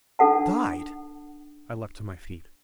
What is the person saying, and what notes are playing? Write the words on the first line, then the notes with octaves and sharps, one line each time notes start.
"Died!..." I leaped to my feet.
D4 D#4 A4 F#5 A5